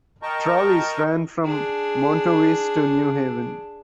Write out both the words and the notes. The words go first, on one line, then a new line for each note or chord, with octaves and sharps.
Trolleys ran from Montowese to New Haven.
A#4 D#5 G5 A5 A#5 C#6
D4 G#4